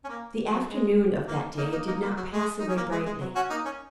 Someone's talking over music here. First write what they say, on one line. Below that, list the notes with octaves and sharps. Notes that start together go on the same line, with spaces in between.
The afternoon of that day did not pass away brightly.
C#4
A#3
F#3
G#3
A#3
A#3 D#4
A#3 D#4
A#3 D#4
A#3
F#3
G#3
D#4
C#4
A#3
G#3
G#3
F#3
C#4 F#4
A#3 D#4
C#4